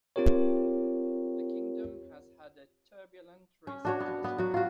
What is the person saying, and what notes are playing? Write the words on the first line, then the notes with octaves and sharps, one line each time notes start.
The kingdom has had a turbulent recent history.
C4 F4 G4 A#4 C#5
C#4
D4 F#4 C#5
B3
B3
F#3 F#4
F4 F#4